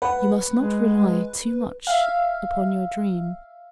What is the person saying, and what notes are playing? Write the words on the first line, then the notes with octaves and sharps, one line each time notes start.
"You must not rely too much upon your dream."
B4 F#5
G#3
E5 F5